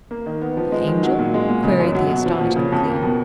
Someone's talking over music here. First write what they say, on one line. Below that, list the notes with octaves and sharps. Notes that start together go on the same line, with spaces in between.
"The Angel?" queried the astonished McLean.
A#3
D#3
B3
F3
G#3
D#3
F#3
A#2
G#3
A#2
C#3
F#2
F#3
B2
F3
A#2
C#3
F2
A#3
B2